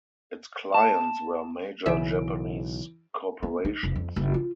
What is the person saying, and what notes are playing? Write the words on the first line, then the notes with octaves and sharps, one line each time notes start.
Its clients were major Japanese corporations.
A5
B1 C#3 E3 E5 D7
B3
D#4
F1
F2
F#1
F4